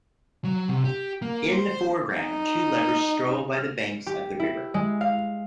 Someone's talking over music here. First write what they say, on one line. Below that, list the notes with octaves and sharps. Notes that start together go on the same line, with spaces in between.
In the foreground, two lovers stroll by the banks of the river.
F#3
C3
G4
A#3
C5
D#4
F6
G4
E4
G#3
F5